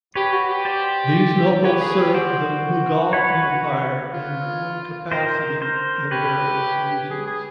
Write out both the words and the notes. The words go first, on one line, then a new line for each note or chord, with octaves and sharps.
These nobles served the Mughal Empire in their own capacity in various regions.
G4 B4 C#5
F#4
G4
C5 D5
G4 B4 C#5
G#4
G4
F#4 C5 D5
B4 C#5
F4
A#4 C5
A#4 C5
G4 B4 C#5
G#4
G#4